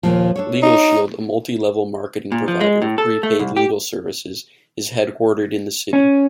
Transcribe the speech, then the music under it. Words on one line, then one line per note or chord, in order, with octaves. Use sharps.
LegalShield, a multi-level marketing provider of pre-paid legal services, is headquartered in the city.
D#2 A#2 F3
D4 A4 C#5
D#4
A#2
F3
G#3
A2
A4
A3
C2
G4
C#4